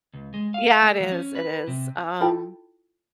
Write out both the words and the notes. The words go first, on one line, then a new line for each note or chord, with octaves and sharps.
Yeah, it is, it is, um,
C#2
G#3
F5
A3
F3
C#4
B4
C3
E4 F4 A4 G5 A5